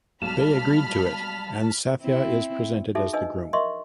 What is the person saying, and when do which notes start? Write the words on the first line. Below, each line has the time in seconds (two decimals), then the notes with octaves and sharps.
They agree to it and Sathya is presented as the groom.
0.22 B1 G3 G#3 A5 B5 F6 B6
2.01 C4 E4
2.95 D#4 F#4 G#4 A4 E5
3.13 D4 D#4 B4 D#5 G#5 E6
3.53 A#4 D#5 E5 C6 C#6